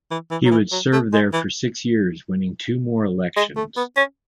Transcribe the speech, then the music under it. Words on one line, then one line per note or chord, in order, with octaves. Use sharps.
He would serve there for six years, winning two more elections.
E3
E3
F#3
E3
F#3
A3
G#3
E3
G#3
A3
B3
C#4